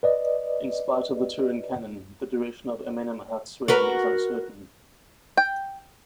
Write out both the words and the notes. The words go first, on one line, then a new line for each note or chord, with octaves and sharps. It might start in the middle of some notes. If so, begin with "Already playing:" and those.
In spite of the Turin canon, the duration of Amenemhat's reign is uncertain.
B4 D5 D#5
F#4 A#4 B4
G5